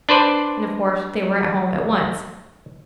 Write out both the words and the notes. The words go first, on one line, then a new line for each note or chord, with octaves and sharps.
And, of course, they were at home at once.
D4 B4 C5 D5